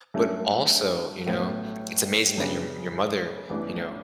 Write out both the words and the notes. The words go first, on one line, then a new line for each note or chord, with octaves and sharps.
But, also, you know, it's amazing that your your mother, you know,
G2 F#3 A3 C#4 E4
A1 A2 F#3 B3
F#2 C#3 G3 B3 D4
A1 G2 E3 B3 D4